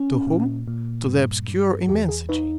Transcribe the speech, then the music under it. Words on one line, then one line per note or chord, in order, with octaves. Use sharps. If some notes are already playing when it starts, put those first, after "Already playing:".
To whom? To the obscure immensity.
Already playing: C#4
A#2
A#2
G2
G2
E2 G4
G#4
D#4 B4